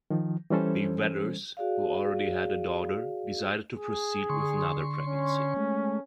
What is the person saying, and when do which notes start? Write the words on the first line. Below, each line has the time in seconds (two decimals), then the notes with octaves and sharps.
The Vetters, who already had a daughter, decided to proceed with another pregnancy.
0.10 D#3 F3
0.50 E3 G3 C#4 A4 C5
1.57 F#4 G#4 D5 F5
3.76 G#4
4.30 D3 C6 C#6
5.05 C#4
5.57 G#3 A3